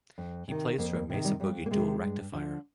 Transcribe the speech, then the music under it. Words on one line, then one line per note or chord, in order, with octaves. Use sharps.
He plays through a Mesa boogie Dual Rectifier.
F2
C3 D#3
F2 A#3
A#3
C3 D#3
G3
F2 G3
A#3
C3 D#3 G#3
G2
D3 F3